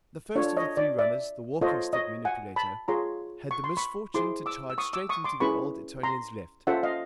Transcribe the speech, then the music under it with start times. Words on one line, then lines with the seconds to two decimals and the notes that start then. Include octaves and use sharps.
The first of the three runners, the walking-stick manipulator, had the misfortune to charge straight into the old Etonian's left.
0.35 D4 F4 A4 C#5
0.57 C#5 D#5
0.77 D5
0.99 D5 E5
1.61 F4 A4 C5 C#5 D#5
1.93 C#5 D#5
2.25 F#5 G#5
2.56 A5 B5
2.88 F4 G#4 C#5 A#5 C6
3.51 C#6
3.64 C6
3.77 B5 C#6
4.14 E4 G#4 C5 C6 D6
4.46 D6 E6
4.70 E6
4.78 C#6 D#6
4.93 D6 E6
5.09 C#6 D#6
5.24 C6 D6
5.40 C#4 E4 G#4 B4 B5 C#6
6.03 A#5 C6
6.67 C#4 F4 A4 C5 E5 F#5
6.83 D#5 F5